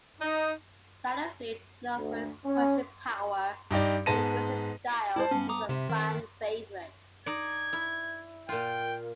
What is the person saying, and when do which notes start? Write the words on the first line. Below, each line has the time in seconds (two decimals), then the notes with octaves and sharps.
Satterfield, known for his punching power and aggressive style, was a fan favorite.
0.21 D#4
1.96 D2
2.44 C#4
3.71 G2 D#4 G4 D5
4.06 G#2 G#3 B3 A5 A#6 D#7
5.16 E4 C5 D5 A5
5.31 G2 B3 C#4
5.49 A#5 D6 D#6
5.69 C3 C4 E5
5.90 D#3
7.26 D#4 D5 G#6
7.73 E4
8.49 A#2 F4 G5